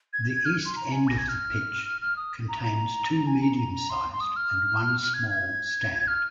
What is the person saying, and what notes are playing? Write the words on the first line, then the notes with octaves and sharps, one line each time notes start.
The east end of the pitch contains two medium-sized and one small stand.
G#6
G#6
F6
C6
A#5
G#5
A#6
G#6
F6
F6
D#6
A#5
A#5
G#5
A#5
A#5
A#5
C6
C6
D#6
F6
G#6
G#6
F6